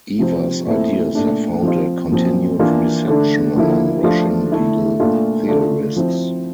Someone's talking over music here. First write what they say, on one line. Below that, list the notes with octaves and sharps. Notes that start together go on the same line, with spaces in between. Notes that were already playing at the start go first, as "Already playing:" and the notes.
Evers' ideas have found a continued reception among Russian legal theorists.
C3 F3 C4
A#2 A3 C4 E4
A#2 A3 D4
F3 C4 F4
A#2 F3 C4
E3 A#3 D4 F4
D3 A3 D4
D3 F3 A#3 E4
F3 A3 D4 F4
D3 A3 E4
A#2 A3 D4 F4
D3 A3 D4 F4
F3 C4 E4